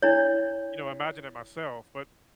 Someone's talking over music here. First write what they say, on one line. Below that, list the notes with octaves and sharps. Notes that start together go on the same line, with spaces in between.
you know, imagine it myself, but
D4 E4 C#5